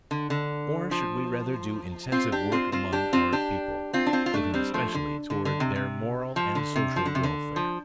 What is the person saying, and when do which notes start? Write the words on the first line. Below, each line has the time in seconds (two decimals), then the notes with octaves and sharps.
Or should we rather do intensive work among our people, looking especially toward their moral and social welfare?
0.11 D3
0.30 D3
0.91 F3
2.12 C4 F4
2.32 D4 G4
2.52 C4 F4
2.72 C4 F4
2.92 D4 G4
3.13 C4 F4
3.32 D4 G4
3.93 C4 F4
4.07 D4
4.13 C4 F4
4.26 F4
4.34 A3 D4
4.54 G3 C4
4.74 F3 A3
4.94 D3
5.30 D3
5.45 D3
5.60 C3
5.76 C3
6.36 F3
6.55 D3
6.76 C3
6.96 F3
7.06 D3
7.15 C3
7.23 D3
7.56 F3